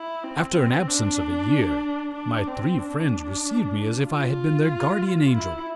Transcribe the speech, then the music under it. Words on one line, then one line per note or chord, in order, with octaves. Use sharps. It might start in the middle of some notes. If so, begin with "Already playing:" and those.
After an absence of a year, my three friends received me as if I had been their guardian angel.
Already playing: E4
C4
C4
D4
D4
C4
D4
F4
E4